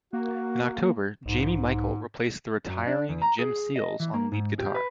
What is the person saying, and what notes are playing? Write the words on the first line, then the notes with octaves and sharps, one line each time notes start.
In October, Jamie Michael replaced the retiring Jim Seales on lead guitar.
A#3 F#4
B1 G#2
F#2
D4
E2
A#5
G#4
D#5
E3
A#3
G#2
G4
B4